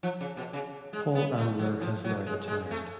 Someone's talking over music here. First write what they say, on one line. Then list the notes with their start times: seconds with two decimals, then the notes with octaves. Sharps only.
Paul Ambler has now retired.
0.03 F3
0.21 C#3
0.37 B2
0.53 C#3
0.93 G#3
1.15 B3
1.38 A3
1.59 F#3
1.81 F3
2.04 F#3
2.26 G#3
2.48 G#3
2.71 A3